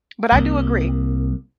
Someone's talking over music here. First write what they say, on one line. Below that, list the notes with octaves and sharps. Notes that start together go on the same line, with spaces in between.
But I do agree
C2 A#3